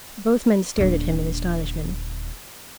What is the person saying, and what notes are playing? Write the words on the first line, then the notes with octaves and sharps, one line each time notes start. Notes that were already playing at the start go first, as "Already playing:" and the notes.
Both men stared at him in astonishment.
D#1 D3